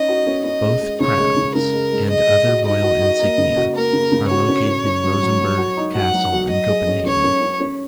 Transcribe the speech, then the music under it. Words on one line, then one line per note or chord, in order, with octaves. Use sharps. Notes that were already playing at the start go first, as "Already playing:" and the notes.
Both crowns, and other royal insignia, are located in Rosenborg Castle in Copenhagen.
Already playing: C#4 D#4 D#5
F#4
C#4
C#4 D#5
G#3
G#3
C#3 C#5
G#3
C#3
C#3 A#4
G#3
G#3
G#3 D#5
G#3
F#4
D#4 D#5
F#4
F#4
A#3
C#3
F#4
A#3 A#4
C#3
C#3
F#4 C#5
C#4
C#4
C#4
F#3
F#3
F#3
F#4
D#4
F#4 F#5
F#3
F#4
F#3 D#5
G#4
C#4
C#4 C#5
C#4
C#4
C#4